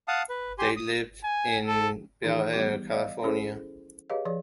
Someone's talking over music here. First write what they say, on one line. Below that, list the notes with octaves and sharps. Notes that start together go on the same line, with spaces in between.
They lived in Bel Air, California.
F5 F#5 A5 D#6
B4
G4 G#5 C6
D#6
G#5
A4
D#3 E3 D#4 G#4
G3 B3 G4
D5 D#5 F5
C#4 E4 G#4 A4 C5
G4 G#4 B4 C#5 D#5 F5
F3 G#4 C#5 D5